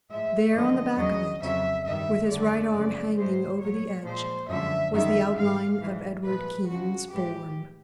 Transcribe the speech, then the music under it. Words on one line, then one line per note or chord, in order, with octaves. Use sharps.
There, on the back of it, with his right arm hanging over the edge, was the outline of Edward Keene's form.
A2 F3 G#3 E5
F#2 D3 F3 G#3 D#5
E2 C#3 F#3 D#5
F2 C#3 F#3 E5
G2 D#3 G3 E5
F2 D3 G3 D5
F#2 C#3 F3 G#3
G#2 E3 G#3 C5
A#2 F#3 C#5
A#2 F3 G#3 C5
F#2 D3 F3 G#3 E5
F#2 D#3 G3 E5
G#2 E3 G#3 F5
G#2 E3 G#3
A#2 F3 G#3 B4
F2 C#3 F3 F#4
A2 E3 G#3 G4